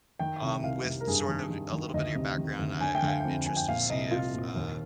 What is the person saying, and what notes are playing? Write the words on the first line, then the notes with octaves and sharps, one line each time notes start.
Um, with sort of a little bit of your background, I I'm interested to see if, uh,
D#3 G5
C2
C2 F5
C3
A#4
G2 G#4
D#3
D#3
D#3
D2 D#5
C3
D#3
D2
D3 G#5
G5
D3
F5
F2 G5
F2 G#5
G5
A#2 F5
C2 D#5
C2 F4
A#2
D#2